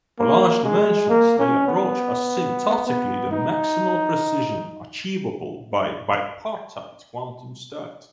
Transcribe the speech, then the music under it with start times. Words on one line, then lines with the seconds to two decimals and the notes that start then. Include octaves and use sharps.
For large dimensions they approach asymptotically the maximal precision achievable by bipartite quantum states.
0.19 A#3
0.64 G#3
1.09 A#3
1.39 C#4
1.68 B3
2.87 B3
3.31 D#4